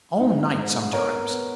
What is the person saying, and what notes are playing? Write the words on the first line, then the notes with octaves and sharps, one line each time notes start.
All night sometimes....
G#2 D#4
G#2
B3 A#4 C#5
B3